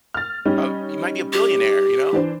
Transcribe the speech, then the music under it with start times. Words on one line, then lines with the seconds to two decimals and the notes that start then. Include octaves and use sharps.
uh, you might be a billionaire, you know?
0.14 F6 A6
0.45 G3 C#4 D#4
1.33 G4
2.13 E3 D4 C5